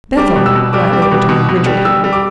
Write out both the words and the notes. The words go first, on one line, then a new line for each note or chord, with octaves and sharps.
"Bethel!" lightly returned Richard Hare.
G3 D6
B2
E6
B2
G3 D6
G3
D6
B2
B2
B2
G3
G3 E6
G3
D6